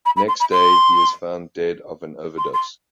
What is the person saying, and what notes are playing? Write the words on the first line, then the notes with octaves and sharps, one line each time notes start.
Next day he is found dead of an overdose.
B5
B5
C6
B5
C6
C6
C6